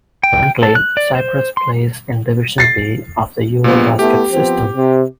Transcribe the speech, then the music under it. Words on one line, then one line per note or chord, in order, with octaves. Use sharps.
Currently, Cyprus plays in Division B of the EuroBasket system.
G5
A4
F#6
D5
C5
C6
A6 C7
G2 A#2 F3 G#3 B3
A3 B3 E4 G4
F3 B3 C4
C3